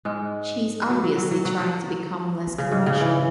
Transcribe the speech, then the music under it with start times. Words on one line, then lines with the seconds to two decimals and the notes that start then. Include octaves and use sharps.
She's obviously trying to become less commercial.
0.05 G#2 G#3
0.90 F#3
1.04 F#3
1.18 F#3
1.31 F#3
1.45 F#3
1.60 F#3
2.58 C#3
2.72 G#2
2.86 C#3
3.01 E3